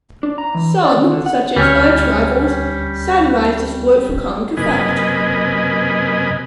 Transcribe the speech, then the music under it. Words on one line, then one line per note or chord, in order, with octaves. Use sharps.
Some, such as "Arch Rivals", satirize the sport for comic effect.
D4
A#5
E3
D5
D#3
D3
F#5
D2 G3 C#4 C#5 F6
F#2 C3 A#3 B4 D#5 G#5